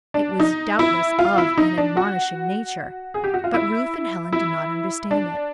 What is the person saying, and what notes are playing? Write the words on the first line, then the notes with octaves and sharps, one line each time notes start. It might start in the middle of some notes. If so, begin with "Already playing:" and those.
It was doubtless of an admonishing nature, but Ruth and Helen did not understand it.
D4
D#4
E4
F4
E4
D#4
D4
F#4
G#4
G4
F#4
F4
E4
E4
D4